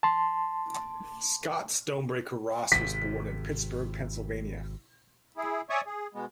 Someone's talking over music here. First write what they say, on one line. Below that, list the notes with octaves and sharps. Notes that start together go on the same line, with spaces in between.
Scott Stonebreaker Ross was born in Pittsburgh, Pennsylvania.
A5 C6
G#1 C3 B6
E4 G#4
C#5 D5 E5 G#5 C#6 D#6
G#4
B2 G#3 B3